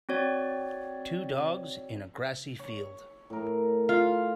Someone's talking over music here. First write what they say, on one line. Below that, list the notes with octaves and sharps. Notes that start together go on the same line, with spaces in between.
Two dogs in a grassy field.
C4 F#4 C#5 D5
C#5
A2 A#4
F4 F5